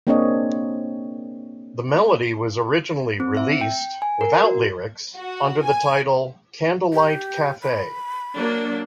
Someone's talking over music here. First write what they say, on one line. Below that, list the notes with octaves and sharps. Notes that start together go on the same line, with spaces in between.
The melody was originally released without lyrics under the title "Candlelight Cafe".
A#3 C4 D4 G#4 C#5 D#5
C4
E5
G5
G#5
A#4
F#4
F#4
G#5
G4
B5
F#3 A#3 D4